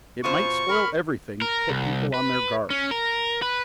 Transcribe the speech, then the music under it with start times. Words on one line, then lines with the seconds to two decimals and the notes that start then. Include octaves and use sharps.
"It might spoil everything to put people on their guard."
0.24 B2 F4 C5 C#6
0.69 A#4 B5 F6
1.42 A#4
1.69 C2
2.14 B4
2.70 C#4
2.91 A#4
3.42 B4